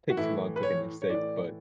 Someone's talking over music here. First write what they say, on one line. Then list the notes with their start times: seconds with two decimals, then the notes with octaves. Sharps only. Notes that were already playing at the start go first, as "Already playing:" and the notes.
take too long cooking a steak, but
0.10 F#4
0.17 A2 E3 E4
0.56 B4
0.63 C#5
1.02 C#5
1.09 A2 E3 D5